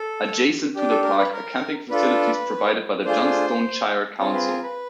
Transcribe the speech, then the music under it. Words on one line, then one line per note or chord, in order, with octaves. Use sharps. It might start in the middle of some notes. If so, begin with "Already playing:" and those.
Adjacent to the park are camping facilities provided by the Johnstone Shire Council.
Already playing: A4
D4 G4
A4
A#4
B4
A#4
D4 F4 A4 B4
A3 D4 F4 G#4 C5
C4 F4 G#4 C#5
B4
A#4
B4